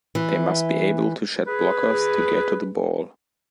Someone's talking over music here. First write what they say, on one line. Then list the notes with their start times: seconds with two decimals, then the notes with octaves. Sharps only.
They must be able to shed blockers to get to the ball.
0.15 E3
1.47 G#4 B4